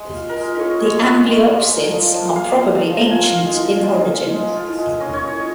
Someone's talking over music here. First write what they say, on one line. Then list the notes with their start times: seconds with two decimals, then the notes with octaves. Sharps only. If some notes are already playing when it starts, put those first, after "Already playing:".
The amblyopsids are probably ancient in origin.
Already playing: G#3
0.15 F4
0.29 A#4
0.37 G#3
0.59 F4 C#5
0.70 D#5
0.79 G#3 C#5
1.02 F4
1.25 G#3
1.47 A#3
1.69 D#4
1.91 F3
2.13 F3
2.35 A#3 F5
2.58 D#4
2.79 F3
2.97 F3 A#5
3.10 G#5
3.23 F4 F5
3.45 G#3
3.67 F4
3.90 G#3
4.11 F4
4.34 G#3
4.56 F4
4.78 G#3
5.00 C#4 D#5
5.13 C#5
5.22 F4
5.27 D#5